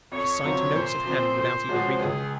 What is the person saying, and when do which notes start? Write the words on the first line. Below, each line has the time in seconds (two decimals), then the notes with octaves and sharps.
She signed notes of hand without even reading them.
0.12 F2 C#5
0.44 C3 F#3 C4 F4
0.75 A#2 C5
1.06 F3 C4
1.37 A#2 C5
1.69 F3 G#3 C#4 F#4
1.99 C#2 G#4